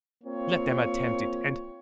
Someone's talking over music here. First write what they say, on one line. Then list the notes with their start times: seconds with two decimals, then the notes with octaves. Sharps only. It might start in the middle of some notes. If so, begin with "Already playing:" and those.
"Let them attempt it, and...."
0.24 A#3 C4 F4 C#5